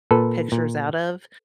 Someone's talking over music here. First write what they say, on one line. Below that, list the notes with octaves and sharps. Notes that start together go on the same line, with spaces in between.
pictures out of.
A#2 A4 B4
A#2